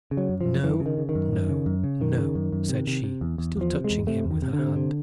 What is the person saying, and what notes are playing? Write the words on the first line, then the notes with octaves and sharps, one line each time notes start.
"No, no, no," said she, still touching him with her hand.
C#3
F#3
F#2
F#2 F3
F#2 E3
C#3
D#3
C#3
D#3
F#2
F#2
C#3
F#2
C#3
F#2 D#3
C#3
F#2
F#2
C3
C3
C3
E2
E2
E2 F3
C3
G#3
E2
C3 A3
E2
D#3
C3
D3
C3
C3